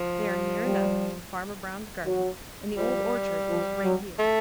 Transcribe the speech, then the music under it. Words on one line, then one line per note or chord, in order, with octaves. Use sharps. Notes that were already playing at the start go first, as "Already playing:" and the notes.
They are near enough to Farmer Brown's garden, and the Old Orchard is right here.
Already playing: F3
G3
F#3
F3 G3
F3
F#3
A3